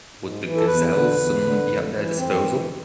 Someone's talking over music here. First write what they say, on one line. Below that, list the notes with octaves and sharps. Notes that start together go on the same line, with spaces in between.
Would the gazelles suddenly be at their disposal?
G#2
E3
A4
E2 B4
D3 B4
E2
D3
F2
E3
F2 C4
E3